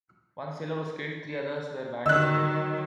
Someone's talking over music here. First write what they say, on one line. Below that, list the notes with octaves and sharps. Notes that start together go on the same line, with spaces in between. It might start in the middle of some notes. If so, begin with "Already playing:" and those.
One sailor was killed, three others were badly wounded.
D3 D#3 F#3 D#5 E6 F#6